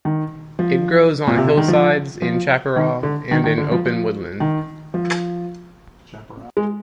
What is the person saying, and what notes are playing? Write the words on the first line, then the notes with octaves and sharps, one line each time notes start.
It grows on hillsides, in chaparral, and in open woodland.
D#3
F3
A#2
C3
D3
D#3
F3
F3
D#3
D3
D#3
D#3
D3
F3
F3
D#3
F3
G#3